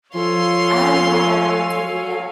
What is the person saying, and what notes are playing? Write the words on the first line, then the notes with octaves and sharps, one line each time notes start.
I haven't had that happen to me yet.
F3 A4 C#5 F5 G#5 C6